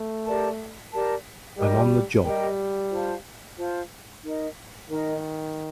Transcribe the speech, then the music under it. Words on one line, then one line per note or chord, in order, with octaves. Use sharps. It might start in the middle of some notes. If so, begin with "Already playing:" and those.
I'm on the job!
Already playing: A3
G4 A#4 D5 A5
G4 A#4 D5 A5
G3 G4 A#4 D#5 G5
G3 G4 A#4 D#5 G5
F4 C5 F5 A5
F4 C5 F5 A5
D#4 A#4 D#5
D#3 D#4 A#4 D#5